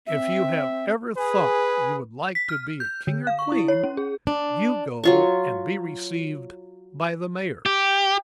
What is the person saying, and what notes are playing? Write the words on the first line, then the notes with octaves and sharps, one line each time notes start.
If you have ever thought you would like to be a king or queen, you go and be received by the mayor.
C4 E5
G#4 B4
B6
F6
G6
D3
F5
C#6
E4
C#5
C#4
G#4
D4
F#3 F4 C#6
G4